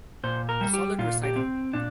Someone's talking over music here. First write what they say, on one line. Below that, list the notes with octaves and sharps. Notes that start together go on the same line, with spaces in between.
A solid recital.
A#2 C5
A#4
G3
G4
A#2 F4
G4
C4
A#2 D4